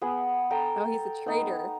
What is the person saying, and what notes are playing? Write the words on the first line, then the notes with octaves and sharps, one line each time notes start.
Oh, he's a traitor.
B3 G#4 F#5
A4 G5 A#5
B3 D#4